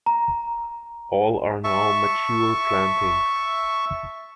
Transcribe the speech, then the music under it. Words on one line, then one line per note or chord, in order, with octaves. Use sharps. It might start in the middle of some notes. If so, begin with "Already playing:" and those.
All are now mature plantings.
A#5
E5 A5 C#6